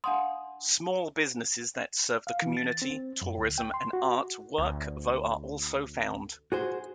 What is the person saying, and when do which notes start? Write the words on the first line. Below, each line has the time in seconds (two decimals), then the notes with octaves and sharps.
Small businesses that serve the community, tourism, and art work though are also found.
0.04 D4 F5 F#5 C6 D#6
2.27 F5
2.42 E3
2.57 A6
2.82 C4
3.21 F#2
3.38 D2
3.58 G5
3.74 C6
3.93 F#4
4.58 D2
6.52 F#4 G#4 C5